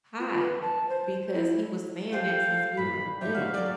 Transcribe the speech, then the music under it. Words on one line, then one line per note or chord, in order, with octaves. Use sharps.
high because he was saying that since we were little,
F4
B4
A5
C5
E4
G4 A4 C5 F5 G5
G2 A#2 B5
D#4 F4 G4 E5
G3 F#4 F5
F#3 G#4 D5